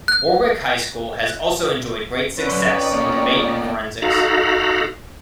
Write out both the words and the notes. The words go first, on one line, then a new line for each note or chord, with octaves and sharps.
Warwick High School has also enjoyed great success in debate and forensics.
F#6
D3 C#4 B4
F#3 C6
F2 D#4 B4 D5
A#3 B3
D#4 F#4 A4 F5 A#5 B5